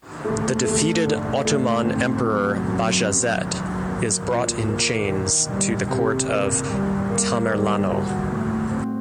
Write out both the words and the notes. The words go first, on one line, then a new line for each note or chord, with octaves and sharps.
The defeated Ottoman Emperor Bajazet is brought in chains to the court of Tamerlano.
A3
A3
D3
A3
C4
F#3
F#2
F#2
F#3
A#3
A#2
A#3
D#3
G2
C3
A#3
G3
A#3
G3
F#4
A2
C4